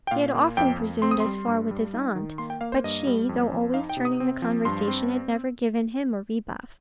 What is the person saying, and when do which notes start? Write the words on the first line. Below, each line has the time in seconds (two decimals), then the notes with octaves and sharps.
He had often presumed as far with his aunt; but she, though always turning the conversation, had never given him a rebuff.
0.07 G5
0.11 A#2 F5
0.35 A#3
0.57 F2 G5
0.79 F2
1.02 C4 C6
1.11 D#6
1.20 C6
1.26 G3
1.47 G2
1.71 G3
1.94 D#4
2.15 D#3
2.38 A#3 C6
2.50 G5
2.61 A#3 F5
2.72 C5
2.84 G2 D#5
3.07 G3
3.29 F2
3.52 F2
3.74 D#4 F5
3.89 G5
3.97 C3
4.05 D#6
4.20 C4
4.42 F3
4.65 G2 C6
4.88 C4